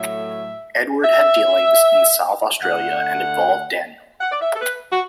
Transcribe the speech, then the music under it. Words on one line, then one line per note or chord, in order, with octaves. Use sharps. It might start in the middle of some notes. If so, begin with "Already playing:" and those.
Edward had dealings in South Australia and involved Daniel.
Already playing: A2 F#3 A3 E5
E5
D3 A3 F#5
F#5
D5
E5
A4
B4
F#4